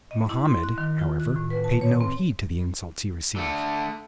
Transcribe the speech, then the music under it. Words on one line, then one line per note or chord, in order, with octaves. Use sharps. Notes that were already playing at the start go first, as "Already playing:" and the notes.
Mohammed, however, paid no heed to the insults he received.
D#5
E4
C6
F#6
D#3
F4
F#6
A2
B4
A5
C#5
C4
D3 A3